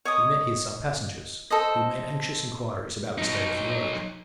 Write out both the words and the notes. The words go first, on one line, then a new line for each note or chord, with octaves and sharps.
We met here some passengers, who made anxious inquiries about the state of the road.
C#5 D#5 D#6
A4 C5 D#5
F#3 D#4